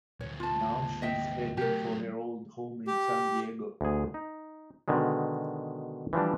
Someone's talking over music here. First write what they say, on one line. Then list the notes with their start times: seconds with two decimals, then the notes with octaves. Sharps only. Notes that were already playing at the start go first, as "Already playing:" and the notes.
Now she is heading for her old home in San Diego.
0.21 D2 A#2 C#5
0.40 F4 A5
1.02 D#5 E5 G5
1.57 F#3 A3 G4 A#4
2.87 G4
3.81 D2 G#4
4.14 D#4
4.88 B2 D3 D#3 G#3
6.13 E3 F3 G3 D4